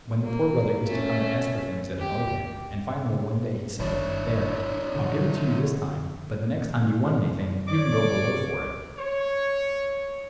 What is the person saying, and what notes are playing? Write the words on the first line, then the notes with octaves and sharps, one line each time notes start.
When the Poor Brother used to come to ask for things it annoyed him, and finally one day he said, "There, I'll give it to you this time, but the next time you want anything, you can go Below for it!"
A#3
A3 C#4
G4
G1 G2 D#3 D4 E4 C#5
B2 D3 F3
C#5 D5 D6
C#5